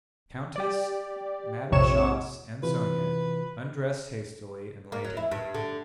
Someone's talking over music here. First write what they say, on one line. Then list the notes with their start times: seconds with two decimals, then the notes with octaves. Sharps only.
The countess, Madame Schoss, and Sonya undressed hastily and lay down.
0.56 G4 D5
1.72 A#1 F2 C3 C#5 C#6 E7
2.63 C3 E3 F4 B4
4.92 A#3
5.04 F#3
5.17 E4
5.32 G2
5.55 D3